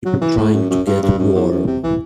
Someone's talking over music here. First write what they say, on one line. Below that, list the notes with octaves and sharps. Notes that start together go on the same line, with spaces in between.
People trying to get warm.
F#3
E3
A2
F#2
F#2
G2
G2
F#2
E2
F#2
C3
E3